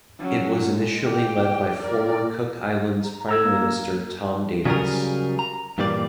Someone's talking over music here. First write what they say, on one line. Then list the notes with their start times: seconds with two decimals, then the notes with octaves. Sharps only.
It was initially led by former Cook Islands prime Minister Tom Davis.
0.19 F#3 C#4
0.71 G#3
1.04 G4 G5
1.79 A#4 D5
3.04 A#5
3.29 A4 A#5 E6 G#6
3.42 A#3
4.65 C#3 F#3 G3 F#4 G#4 A#4
5.39 A#5
5.78 G2 A#2 E3 G3 A#3 D5